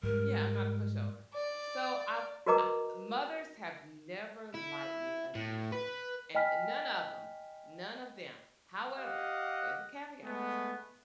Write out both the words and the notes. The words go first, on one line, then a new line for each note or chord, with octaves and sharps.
Yeah, I'm not a pushover. So, I f I mothers have never liked me initially, and and none of 'em, none of them. However, there's a caveat
G#2 G3 A#4
D5
F#4 A#4 B4 D#5 A#5 D6
E4
A2
B4
D#5 G5 G#5 B5 F6 B6
G4 D#5 F5 F#5
G#3 A3 B3